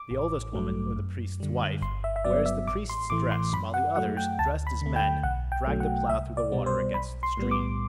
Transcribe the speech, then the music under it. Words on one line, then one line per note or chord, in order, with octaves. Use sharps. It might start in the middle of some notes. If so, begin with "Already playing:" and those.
The oldest woman, or the priest's wife, wears the priest's dress, while the others, dressed as men, drag the plough through the water against the stream.
Already playing: D6
A1
G2 F#3 A3
F#2
D3 G3
G1 C6
E5
E5
G2 F#3 B3 D5
E5
A1 D6
C6
A2 E3 A3 D6
C6
F#2 B5
F#5
F#3 A3 F#5
G5
D2 A5
B5
D3 A3
G5
B1 F#5
G5
B2 F#3 A3
F#5
C2 E5
D5
B2 G3 B3
C5
B1 B5
C6
A2 G3 B3
D6